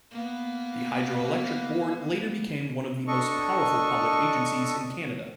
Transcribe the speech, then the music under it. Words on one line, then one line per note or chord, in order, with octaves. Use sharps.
The Hydro-Electric Board later became one of the most powerful public agencies in Canada.
A#3 B3
D4 A4 D#5 C#6